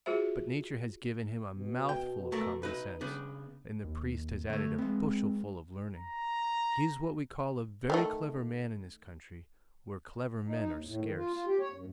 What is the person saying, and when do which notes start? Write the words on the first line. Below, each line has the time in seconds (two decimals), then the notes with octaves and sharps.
But nature has given him a mouthful of common sense, and the priest has added a bushelful of learning; he is what we call a very clever man in this country, where clever men are scarce.
0.06 F4 F#4 G#4 C5 E5
1.58 B2
1.89 G5
2.32 A3 A4 A#4
2.63 D#4 B4
3.01 C#3 B3 D4
3.84 D#2
4.50 D3 A3 C#5
4.78 G#3 B3 C4
5.97 A#5
7.90 D#3 G3 A3
10.48 D#4
10.60 D#4
10.73 D#2
10.87 A2
11.01 D#3
11.17 F4
11.34 F4
11.46 G4
11.60 C#5
11.73 F#2